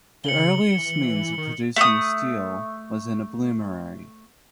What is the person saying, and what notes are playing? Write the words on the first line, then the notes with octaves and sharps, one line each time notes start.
The earliest means of producing steel was in a bloomery.
C#3 C#7 F#7 G7
E3
D#3
A3 D#6